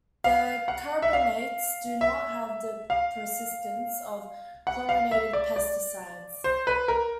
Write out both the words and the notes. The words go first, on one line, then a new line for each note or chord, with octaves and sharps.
The carbamates do not have the persistence of chlorinated pesticides.
F5
F#5
E5
F5
E5
F5
F#5
F5
E5
D5
D5
C5
B4
A#4